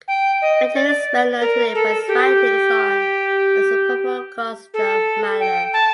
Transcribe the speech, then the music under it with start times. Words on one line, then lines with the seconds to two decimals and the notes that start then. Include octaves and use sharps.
Ritter is well known today for his writings on and support for Gustav Mahler.
0.08 G5
0.42 D#5
0.74 D5
1.41 A#4
1.75 A4
2.08 G4
4.74 A4
5.40 G5
5.73 A5